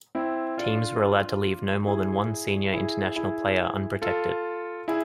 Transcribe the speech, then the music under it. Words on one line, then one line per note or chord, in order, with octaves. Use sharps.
Teams were allowed to leave no more than one Senior International player unprotected.
C4 E4
D4 F4
E4 G#4
E4 G#4
E4 G#4
F4 A4
E4 G#4